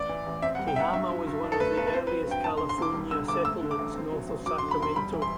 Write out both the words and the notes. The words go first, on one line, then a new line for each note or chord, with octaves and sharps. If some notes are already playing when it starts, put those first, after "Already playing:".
Tehama was one of the earliest California settlements north of Sacramento.
Already playing: A1 D5
E3
A1
C4 E5
F#5
G3
G5
B1 E5 F#5
G2 E5
F#3
G2
D4
A4
A3 B4
B1 B4
B4
C4 C5
B4
F#3
G2 G5
E1 A5
C6
D3
C6
E1 D6
G3
D3 E6
G1 D6
A3 E6
D3
D6
A1
C4
F#3
A1
F#3 D6
D3 C6
B5
E1 C6
G3 B5
E3
C6